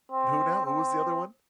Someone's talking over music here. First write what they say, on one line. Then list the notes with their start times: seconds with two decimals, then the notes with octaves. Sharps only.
And who now? Who was the other one?
0.12 C4
0.66 C4